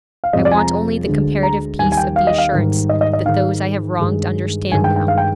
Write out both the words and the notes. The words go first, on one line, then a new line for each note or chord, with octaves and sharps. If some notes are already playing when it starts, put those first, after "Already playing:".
I want only the comparative peace of the assurance that those I have wronged understand now.
F5
F2 C3 F3 G#3 D#5
D5
G#5
A#5
D2 D3 G#3
A#5
D#2 D#3 G3 G#5
G#5
G5
F5
D#5
F5
G#2 D#3 G3
D#5
D#5
D#5
G#2 D#3 G#3 F5
G2 D#3 G#3
G2 D#3 G#3 G#5
G5
G5
F5
G5